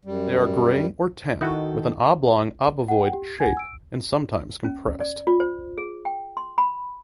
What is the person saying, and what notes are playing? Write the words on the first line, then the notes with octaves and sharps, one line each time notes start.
They are gray or tan with an oblong obovoid shape and sometimes compressed.
F#2 G3
D#3 D#4 E4 F#4 A4
F#5 G5
G4
F#5 G#5 G#6
E6 D7
C#4
D5
F4
C5
G#4
G5
C6
B5